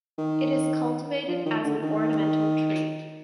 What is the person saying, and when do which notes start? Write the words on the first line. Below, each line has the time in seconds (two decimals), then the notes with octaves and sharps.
It is cultivated as an ornamental tree.
0.18 D#3
1.28 F3
1.45 D#3
1.64 D3
1.82 D#3